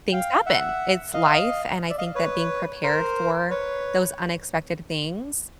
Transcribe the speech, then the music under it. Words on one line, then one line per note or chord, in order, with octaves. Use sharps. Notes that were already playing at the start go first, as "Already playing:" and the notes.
things happen! It's life, and, I think that being prepared for those unexpected things,
F5 G5
E5 F#5
D#5 F5
D5 E5
D#5 F5
B4 C#5
A#4 C5
B4 C#5